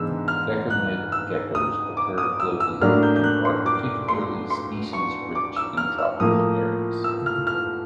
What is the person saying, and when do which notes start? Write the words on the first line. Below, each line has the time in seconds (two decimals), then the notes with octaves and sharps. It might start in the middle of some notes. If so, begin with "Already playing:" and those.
Gekkonid geckos occur globally and are particularly species-rich in tropical areas.
Already playing: G#2 E3 G#3 B3 D4 E6
0.28 F6
0.70 F#6
1.12 E6
1.55 D#6
1.97 D6
2.18 D#6
2.40 E6
2.60 E6
2.81 A2 F#3 A#3 D4 F6
3.03 G6
3.16 G6
3.24 F#6
3.45 C6
3.66 D6
4.08 C6
4.50 C6
4.93 C#6
5.35 D6
5.56 E6
5.77 F6
5.98 E6
6.20 A2 F3 A#3 D#6
7.04 E6
7.26 F6
7.47 F6